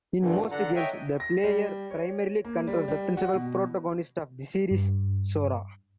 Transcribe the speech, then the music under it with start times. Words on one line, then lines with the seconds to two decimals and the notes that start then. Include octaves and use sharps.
In most games, the player primarily controls the principal protagonist of the series, Sora.
0.21 G2 A#2 D3 E3
0.51 D3 D4 A4 F#5 A#5
0.75 C#5 D#5 E5 G5 G#5
1.20 A#6
1.44 G3
1.91 C#5
2.45 A#3
2.67 G3
2.88 G3
3.17 F#4
3.33 B2
4.71 G2